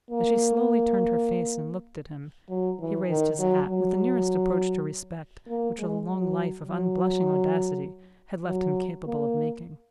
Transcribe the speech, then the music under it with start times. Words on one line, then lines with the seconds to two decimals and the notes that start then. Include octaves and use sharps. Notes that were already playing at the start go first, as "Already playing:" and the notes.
As she slowly turned her face and looked at him, he raised his hat, with the nearest approach to respect which a long life of unblushing audacity had left him capable of making.
0.11 A#3
2.50 F#3
2.79 E3
3.10 D#3
3.39 F#3
3.69 F#3
5.48 A#3
5.79 G#3
6.08 F#3
6.68 F#3
8.47 F#3
9.07 A#3